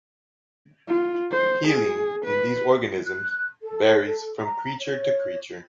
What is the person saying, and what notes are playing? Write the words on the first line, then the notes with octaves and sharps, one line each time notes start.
Healing in these organisms varies from creature to creature.
F4
C5
G#4
B4
F#6
A4
A4
A#5
C#5